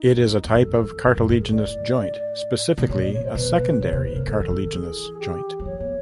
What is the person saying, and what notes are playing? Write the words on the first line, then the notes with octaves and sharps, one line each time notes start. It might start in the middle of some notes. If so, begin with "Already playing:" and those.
It is a type of cartilaginous joint, specifically a secondary cartilaginous joint.
Already playing: D#4
F#2
F2
E2
G2
F#2 A4
F2
F#2 A#4
F#2
G2 A#4
G#2 G#4
A2 D5
B2
A#2 C#5
D5
C#5
C5
B2 B4
B2
C#3 C#5
C3 C5
B2 B4
C3 A#4
C#3 A4
E3
D#3
E3 G#4
G4
F#3
F3 C#5
B3